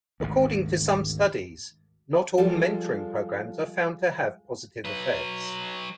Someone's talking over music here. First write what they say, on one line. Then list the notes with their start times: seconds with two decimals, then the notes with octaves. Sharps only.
According to some studies, not all mentoring programs are found to have positive effects.
0.20 G#1 D2
2.38 F3 G3 G#3 F4 A4
4.85 F#3 B4